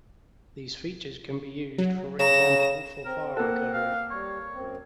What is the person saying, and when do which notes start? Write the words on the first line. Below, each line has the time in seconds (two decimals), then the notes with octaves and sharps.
These features can be used for example for file recovery.
1.78 F#3
2.19 C#3 A#5 A#6 E7
3.05 C4 A#4
3.37 A#3 A4 F#5
3.73 F5
4.11 G3 C#5
4.54 F#2 C4